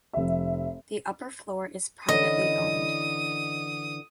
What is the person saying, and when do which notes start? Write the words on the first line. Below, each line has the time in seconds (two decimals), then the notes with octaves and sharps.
The upper floor is privately owned.
0.13 F1 E5
2.09 D3 E3 C#4 D#5 D#6